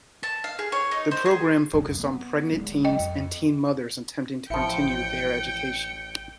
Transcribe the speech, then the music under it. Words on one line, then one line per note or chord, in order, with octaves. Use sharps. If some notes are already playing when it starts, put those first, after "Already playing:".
The program focused on pregnant teens and teen mothers, attempting to continue their education.
A5
F5
G#4
C#5
D#4
C5
G#4
F1 C2 F#2
A#3 B3
D1 F#3 G#3
D#5 G5
F2
A1 F3 E4 G5 C#7